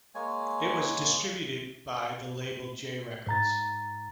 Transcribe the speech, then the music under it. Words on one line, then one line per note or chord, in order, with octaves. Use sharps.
It was distributed by the label J Records.
G#3 A#3 C#5 G#5
G#2 A#5 A6